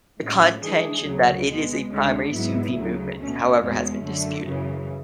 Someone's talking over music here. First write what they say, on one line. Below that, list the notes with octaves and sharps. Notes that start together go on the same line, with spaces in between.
The contention that it is a primarily Sufi movement, however, has been disputed.
A2 G#3 C#4
E3 G#3 D4 G#4
D2 C#3 F#3
B2 G#3 B3
D2 D3 G#3 C#4
G#2 F#3 B3 E4
D2 C#3 F#3
B2 A3 C#4
E2 B2 G#3 C#4
F#2 D3 A3
F#2 C#3 E3